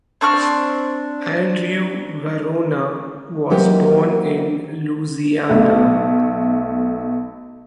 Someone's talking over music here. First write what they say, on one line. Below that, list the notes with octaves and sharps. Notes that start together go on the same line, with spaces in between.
Andrew Varona was born in Louisiana.
C4 D4 C#6 F6
E3 F#3 A#3 D#4 G4 C5
B1 A3